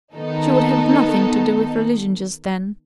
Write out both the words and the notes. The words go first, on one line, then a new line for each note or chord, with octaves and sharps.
She would have nothing to do with religion just then.
D#3 B3 D#4 A4